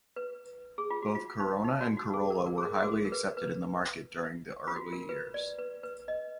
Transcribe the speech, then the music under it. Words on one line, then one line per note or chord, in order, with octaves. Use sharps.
Both Corona and Corolla were highly accepted in the market during the early years.
B4
G#4
F4
F#4
F4
D#4
D#4
F#4
F#4
G#4
A#4
A#4
G#4
A#4
F#4
G#4
A#4
B4
B4
F4
F#4
A#4
B4
D5
B4
B4
D#5